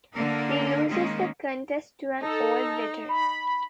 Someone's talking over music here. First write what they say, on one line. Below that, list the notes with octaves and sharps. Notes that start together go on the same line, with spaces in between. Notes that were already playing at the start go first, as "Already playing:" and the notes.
He loses the contest to an old veteran.
D3 A#3 A#4
D#3 G#3 A#3 C#4
D#4 A4
B5